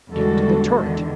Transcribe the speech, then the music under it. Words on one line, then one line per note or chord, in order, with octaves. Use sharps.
Get to the turret!
E2 D3 G3 G#3 F#4 A4
E2 D3 D#3